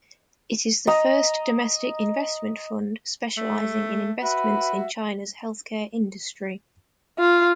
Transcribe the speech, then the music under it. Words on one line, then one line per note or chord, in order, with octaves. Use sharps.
It is the first domestic investment fund specializing in investments in China's healthcare industry.
D#5 A#5
A3
F#4 B4 E5
F4